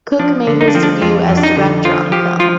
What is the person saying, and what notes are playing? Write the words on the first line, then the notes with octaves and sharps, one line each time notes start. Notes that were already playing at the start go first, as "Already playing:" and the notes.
Cook made his debut as director on the film.
F3 D4
D3
D#4
D4
F3 C4
D4
F2 F4
F2
D4
D#4
D3
F3 F4
F3 G4
F3 F4